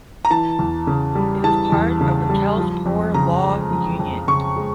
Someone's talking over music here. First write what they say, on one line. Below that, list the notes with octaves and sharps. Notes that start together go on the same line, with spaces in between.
It was part of the Kells Poor Law Union.
A#5
E3 A5
E2
C#3
G3
E3 A5
E2
C#3
G3
F3
F2
C#3 A#5
G#3
F3
F2
C#3 C#6
G#3